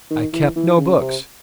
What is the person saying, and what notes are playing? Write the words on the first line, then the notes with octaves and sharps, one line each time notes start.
I kept no books.
D#3
E3
E3
C#3
C3